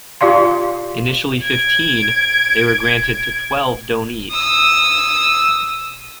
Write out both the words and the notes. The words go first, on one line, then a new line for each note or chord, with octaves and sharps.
Initially fifteen, they were granted to twelve donees.
F4 G4 D5 F5 C6
G#6 D7
D#6 E6